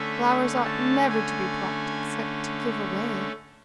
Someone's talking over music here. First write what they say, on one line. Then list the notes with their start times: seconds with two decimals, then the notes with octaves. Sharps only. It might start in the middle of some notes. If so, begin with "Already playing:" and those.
Flowers ought never to be plucked except to give away.
Already playing: D3 A3 C#4 E5
0.65 A5
1.09 G#5